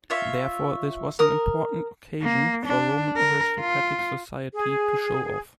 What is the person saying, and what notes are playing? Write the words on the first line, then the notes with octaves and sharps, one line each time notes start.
Therefore this was an important occasion for Roman aristocratic society to show off.
F4 C#5 E5
A#4 D#6
A#3
D4
A#4
F4
G#4